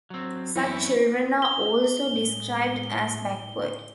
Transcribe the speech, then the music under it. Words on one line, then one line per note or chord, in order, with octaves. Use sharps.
Such children are also described as backward.
F#3 C4
F#2 E3 B3 C4 E4 C#5
G7
A2 G#3